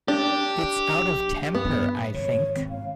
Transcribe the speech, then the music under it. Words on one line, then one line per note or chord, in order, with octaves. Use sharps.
It’s out of temper, I think.
D4 G4
A#1
G2 B3
G#1 E2 C3 C#5
G#1 C4
F5